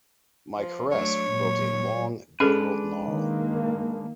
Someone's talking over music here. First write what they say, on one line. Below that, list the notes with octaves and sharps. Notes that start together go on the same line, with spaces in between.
My caress provoked a long, guttural gnarl.
F3
F#3 A3 D4 C#5
A#2 F#3 G#3
G#3 C#4 D4 G#4 A4 B4
D#3 A#3